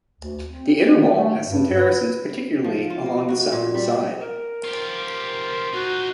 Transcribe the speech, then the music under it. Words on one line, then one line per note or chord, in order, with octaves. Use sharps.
The inner wall has some terraces, particularly along the southern side.
D2
C4
D#3
A3
G2
B4
F3
F4
A#3
F#4
A#2
G3
A#4
F4 G4 C5
D#4 F4 F#4